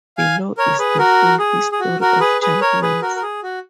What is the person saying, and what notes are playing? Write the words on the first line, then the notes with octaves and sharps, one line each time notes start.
Below is the full history of champions.
F5 G#5
A#4 C#5
G#4 B4
F#4 A#4
G#4
G#4
F#4
F#4 A#4
G#4 B4
G#4 B4
A#4 C#5
G#4 B4
F#4 A#4
A#4
G#4
F#4